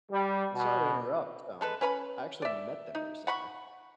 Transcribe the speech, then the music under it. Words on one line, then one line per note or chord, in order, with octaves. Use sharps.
Sorry to interrupt, um, I actually met them recently.
G3
B2
G#3 A4 B4
C#4 B4 E5 B5
D5 E5
D#4
F#5 B5 C#6